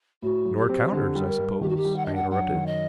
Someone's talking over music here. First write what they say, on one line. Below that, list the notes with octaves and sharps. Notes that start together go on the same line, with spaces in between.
"Nor counters, I suppose," I interrupted.
A2 F#4
F#3
G4
C4
D3 G4
G3
A#4
G2
D#3 G4
F#4
G4
G3
F#5
D4 D#5
F#5
F#2 F#5
D#3
D#5